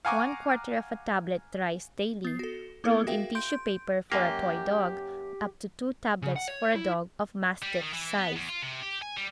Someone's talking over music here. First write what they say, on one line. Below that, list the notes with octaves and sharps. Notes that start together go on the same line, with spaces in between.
One quarter of a tablet thrice daily, rolled in tissue paper, for a Toy dog, up to two tablets for a dog of Mastiff size.
F5 F#5 G#5 A#5 C#6 D6
B3 C7
F#4 A4
A#3 B3 E4 A4 A#4
F#4 G#4 A#4 E5 F5 G5
C6 G6 D7
F#2 A#3 G4
C#3
F#5
C#5
E4
G3
D#3
E3
B3
E2
F4
C3
G4
G#5
G3